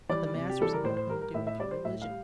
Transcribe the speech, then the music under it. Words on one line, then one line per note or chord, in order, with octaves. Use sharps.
'But the masters have nothing to do with your religion.
E3 G3 D5
C3
G4
E3 G3 A4
A#4
A2 C5
C5
G3 A#4
A#4
A2 E5
E5
G3 D5
C5
A2 E5
F5
G3